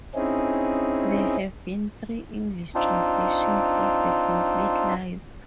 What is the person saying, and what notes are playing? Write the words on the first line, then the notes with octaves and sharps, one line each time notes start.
There have been three English translations of the complete "Lives".
C4 C#4 D#4 E4 G#4
C4 D4 D#4 F4